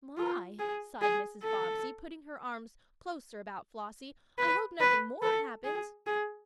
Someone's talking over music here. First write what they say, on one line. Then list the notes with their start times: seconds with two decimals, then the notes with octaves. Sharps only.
"My!" sighed Mrs. Bobbsey, putting her arms closer about Flossie, "I hope nothing more happens."
0.17 F4
0.59 G#4
1.01 G#4
1.43 A4
4.38 B4
4.80 B4
5.22 A4
5.64 G#4
6.07 G#4